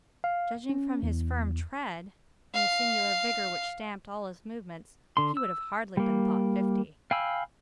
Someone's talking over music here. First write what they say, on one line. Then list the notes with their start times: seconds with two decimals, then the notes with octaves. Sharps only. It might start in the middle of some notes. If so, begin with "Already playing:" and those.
Judging from his firm tread, from the singular vigor which stamped all his movements, he would have hardly been thought fifty.
0.24 F5
0.69 C#4
1.03 E2
2.54 F5
5.17 D3 C6
5.37 E6
5.97 G3 A#3
7.11 F5 G5 G#5 B5 E6